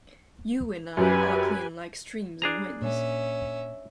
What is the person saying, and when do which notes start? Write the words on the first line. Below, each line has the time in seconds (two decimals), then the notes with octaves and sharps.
You and I are clean like streams and winds.
0.97 F#2 G4 B4 G#5
2.42 D4 G#4 A#5
2.82 A#2 C#4 E5